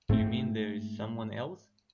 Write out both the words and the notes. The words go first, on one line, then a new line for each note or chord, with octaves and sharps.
You mean there's someone else?
G#2 A3 C4